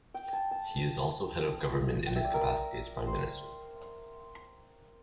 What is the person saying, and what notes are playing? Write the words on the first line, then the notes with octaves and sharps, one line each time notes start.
He is also head of government in his capacity as Prime Minister.
G5
A5
A5
G5
E5
D5
A#4
C5